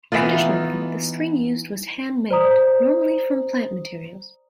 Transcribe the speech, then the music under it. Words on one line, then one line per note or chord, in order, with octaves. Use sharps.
Traditionally, the string used was handmade, normally from plant materials.
E3 B3 D#4 F4
C5 D5 A#5 D#6